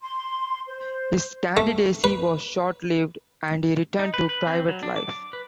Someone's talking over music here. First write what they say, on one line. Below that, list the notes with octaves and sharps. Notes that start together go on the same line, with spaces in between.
His candidacy was short-lived and he returned to private life.
C6
C5
A3
B4
D#4
B4
B4
C4
F#3
D4
D6
B4